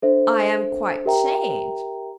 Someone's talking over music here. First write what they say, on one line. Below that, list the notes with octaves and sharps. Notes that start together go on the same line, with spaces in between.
I am quite changed.
D4 A4 C5 E5
G4 A#4 E5 G5 A#5